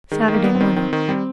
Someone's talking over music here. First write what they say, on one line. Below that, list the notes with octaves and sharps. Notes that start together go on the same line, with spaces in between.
Saturday morning.
D#3 G#3
D#3
A#3
B3
C4
D#3
D#3 C4
D#3
G3 C4